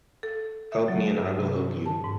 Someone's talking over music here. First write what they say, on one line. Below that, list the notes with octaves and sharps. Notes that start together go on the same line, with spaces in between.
Help me and I will help you.
A4
E5
F#3
G2
C3
C#4
A5
G#2